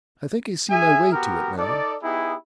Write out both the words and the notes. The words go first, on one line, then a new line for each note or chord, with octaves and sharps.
I think I see my way to it now.
G#4 E5 G#5
B3 F#4 G4 A#4
D#4 A4 D5
B3 D#4 E4 G4 G#4